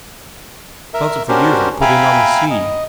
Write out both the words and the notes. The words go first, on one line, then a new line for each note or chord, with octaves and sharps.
Because of the years I put in on the sea.
A#4 E5
C#4 D4 F#4 G4 A#4 C5
E5 F5 G5 G#5 A#5 B5
D#5